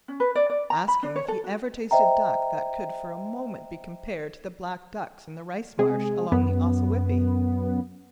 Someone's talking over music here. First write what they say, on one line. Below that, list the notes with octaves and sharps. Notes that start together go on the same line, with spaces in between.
Ask him if he ever tasted duck that could for a moment be compared to the black ducks in the rice marsh along the Ossawippi.
C#4
B4
D5
D5
A#5
B5
D4
C#5
A4
F#4
C5 D#5 E5 G5 A#5
C3 G#3 G#4
F#2 B3